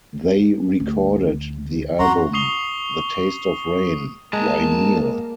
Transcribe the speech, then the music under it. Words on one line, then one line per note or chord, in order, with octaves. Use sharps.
They recorded the album The Taste of Rain... Why Kneel?
D2
F2 F#4 A#5 C6
C#6 D#6 C7 F7 G7
G#3 A#3 A5 A#5